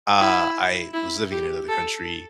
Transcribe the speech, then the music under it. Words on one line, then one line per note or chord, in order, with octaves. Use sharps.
uh, I was living in another country,
E4
E4
G4
A4